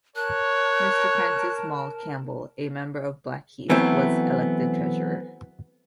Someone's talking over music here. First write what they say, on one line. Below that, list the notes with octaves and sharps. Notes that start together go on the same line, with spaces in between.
Mr Francis Maule Campbell, a member of Blackheath, was elected treasurer.
A#4 C#5 A5 F#6
E3 F#3 A3 B3 C4 E4